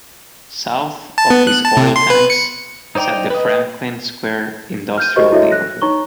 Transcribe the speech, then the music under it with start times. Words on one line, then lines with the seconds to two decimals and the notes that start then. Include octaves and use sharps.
South of these oil tanks sat the Franklin Square industrial neighborhood.
1.18 A5
1.30 B3
1.47 F#6
1.65 A5
1.77 C3
1.96 C6
2.10 B4
2.30 C#7
2.95 D#4 C5 D5 G5 A#5
3.30 B4 D#5
4.98 F6 G6 D#7
5.16 F#4 G4 A#4 C5 D#5 C#6
5.32 E4 F#4 A4 C#5 D#5 E5
5.51 F#6 A#6
5.81 D#4 C#5 A#5 C#6 G7